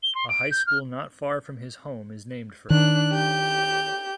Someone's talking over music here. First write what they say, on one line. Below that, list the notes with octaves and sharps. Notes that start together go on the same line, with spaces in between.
A high school not far from his home is named for him.
G7
C6
D7
G6
F6
D#3 D4 F#6
G4 G6